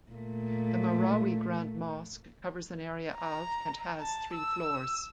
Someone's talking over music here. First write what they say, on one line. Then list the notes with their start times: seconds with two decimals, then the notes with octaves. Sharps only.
The Marawi Grand Mosque covers an area of and has three floors.
0.12 A#2 A3
3.17 A#5
4.01 A5
4.34 E6